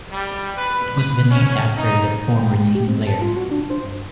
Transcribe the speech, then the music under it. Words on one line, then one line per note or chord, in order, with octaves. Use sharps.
It was the named after the former team player.
G3
B4
B4
C#4
D#4
G5
G#3
G4
C4
A5
F4
F#4
D4
C5
G2